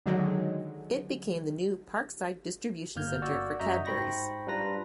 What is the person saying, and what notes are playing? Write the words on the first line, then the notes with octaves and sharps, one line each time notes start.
It became the new 'Parkside' distribution centre for Cadbury's.
D3 D#3 F#3 G#3
G1 A#3 F6 G6 G#6
F#4 D5 E6
F#2 F#4 D#5 E5 A#5 G6
G#2 C5 G5 B5 C#6 A#6
G3 D4 F4 B4 A#5 A#6